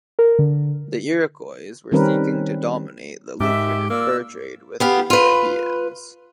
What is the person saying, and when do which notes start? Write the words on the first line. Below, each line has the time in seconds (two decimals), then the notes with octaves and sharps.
The Iroquois were seeking to dominate the lucrative fur trade with the Europeans.
0.19 A#4
0.39 D3
1.92 D#3 G3 C4 C#4 A#4 B4
3.40 G#2 D#3 G#3 G4 E5
3.90 A#3 F4 D5 E6
4.80 B3 G4 F5
5.10 F4 B4